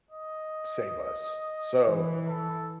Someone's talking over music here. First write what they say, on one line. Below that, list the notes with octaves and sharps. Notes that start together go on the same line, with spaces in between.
save us. So,
D#5
E3
A4